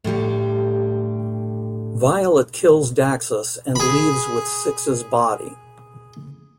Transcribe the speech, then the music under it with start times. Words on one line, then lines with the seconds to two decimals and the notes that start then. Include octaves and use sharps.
Violet kills Daxus and leaves with Six's body.
0.04 A2 D3 G3 G4
3.76 G#4 B5